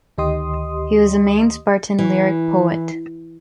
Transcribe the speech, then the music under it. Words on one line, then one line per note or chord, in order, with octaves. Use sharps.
He was the main Spartan lyric poet.
D2 D#3 G4 D#5 C6 D#6
E3